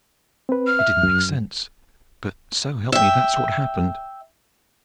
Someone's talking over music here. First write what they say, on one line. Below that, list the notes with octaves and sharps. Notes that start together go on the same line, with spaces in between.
It didn't make sense, but so help me, that's what happened.
C4 B4
F6
E5
F#2
E5 G5